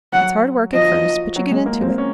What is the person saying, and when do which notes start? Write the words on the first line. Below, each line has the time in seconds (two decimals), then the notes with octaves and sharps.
It's hard work at first, but you get into it.
0.12 F#3 F#5
0.74 F3 D#5
1.36 F#3
1.51 G#3
1.66 A#3
1.82 C4
1.98 C#4